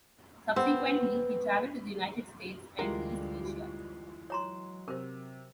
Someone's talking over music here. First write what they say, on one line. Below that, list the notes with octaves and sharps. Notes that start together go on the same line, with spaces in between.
Subsequently, he traveled to the United States and East Asia.
B3 C4
D2 E3 G3 G#3 F4 G4 A#4
F#3 C#5 A#5 C6
C3 A#4 C5